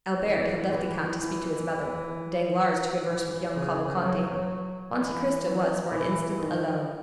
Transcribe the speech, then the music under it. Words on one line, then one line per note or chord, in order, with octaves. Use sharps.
Albert had left the count to speak to his mother, Danglars to converse with young Cavalcanti; Monte Cristo was for an instant alone.
E3
E3
E3
E3
C#3
F#3
F#3
E3
F#3
E3
D#3